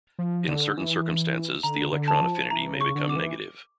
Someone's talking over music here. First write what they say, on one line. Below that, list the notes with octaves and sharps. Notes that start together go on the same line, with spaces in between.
In certain circumstances, the electron affinity may become negative.
F3
D3
E3
D3 A#5
D3
A5
F3
E3 A#5
C#3
C#6
D3
D6
E3